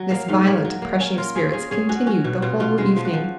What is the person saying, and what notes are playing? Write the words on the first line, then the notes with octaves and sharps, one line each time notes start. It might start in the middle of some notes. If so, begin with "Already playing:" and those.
This violent oppression of spirits continued the whole evening.
Already playing: F#3
A#3 F5
G#2 F5
A#3 C#5
F#3
A#3
C#4
F4 A#4
C#4 G#4
C#4 G#4
C#4 G#4
C#4 F#4
C#4 F#4
B2 F#4
B2 F4
B2 F4
G#3 F4
F3
F#4
F3